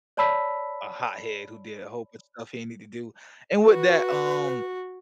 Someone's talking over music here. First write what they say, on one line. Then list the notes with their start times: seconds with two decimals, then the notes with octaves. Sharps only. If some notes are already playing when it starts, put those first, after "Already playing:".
a hothead who did a whole bunch of stuff he didn't need to do. And with that, um
0.17 C#5 D5 A5 B5 E6 B6
3.66 F#4 B4